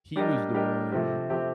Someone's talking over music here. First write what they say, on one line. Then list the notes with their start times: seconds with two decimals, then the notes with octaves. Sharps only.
he was the one
0.16 G3 D4 G4 A#4 D#5
0.53 G3 D4 G4 A#4 D#5
0.92 C3 F3 A3 C4 G4
1.30 C3 F3 A3 C4 G4